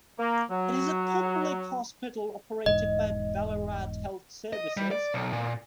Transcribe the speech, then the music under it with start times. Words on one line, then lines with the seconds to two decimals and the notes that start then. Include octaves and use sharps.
It is a public hospital operated by Ballarat Health Services.
0.19 A#3
0.51 F#3
2.66 E1 G#2 D#5
4.53 D#5
4.77 G3
4.91 D5
5.14 B1
5.33 A#2